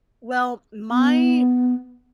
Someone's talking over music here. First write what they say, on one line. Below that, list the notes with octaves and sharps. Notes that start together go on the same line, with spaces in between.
Well, my
B3